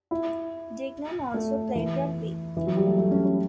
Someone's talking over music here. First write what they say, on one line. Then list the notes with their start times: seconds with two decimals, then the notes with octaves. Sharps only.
Dignan also played rugby.
0.11 E4
1.34 A3
1.75 E3
2.57 E3
2.67 F#3
2.77 G3
2.87 A3
2.98 A3
3.11 C#4
3.25 C#4